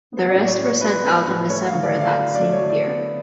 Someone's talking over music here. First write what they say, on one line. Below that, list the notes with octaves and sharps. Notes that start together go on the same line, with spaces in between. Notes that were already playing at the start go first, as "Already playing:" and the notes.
The rest were sent out in December that same year.
B3
D5
A2
C#5
A2
C#5
F#3 B4
B3
A2
A3 C#5
F5
D3
D5
D3
F5
F#3
D5
A3
C#5
D3
D5
B3